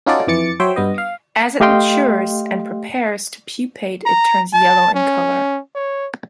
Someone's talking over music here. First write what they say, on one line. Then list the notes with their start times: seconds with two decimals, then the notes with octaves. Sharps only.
As it matures and prepares to pupate it turns yellow in color.
0.06 C#4 D#4 F4 F#4 A4 D5
0.27 F2 E3 D6 A6 C#7
0.60 F#3 C5 C#5 E5 G5
0.76 G2 B3 D#5
0.98 F5
1.60 A3 G4 D#5 F5 G5 C6
4.06 A#5
4.53 A5
4.94 C#4
5.75 C#5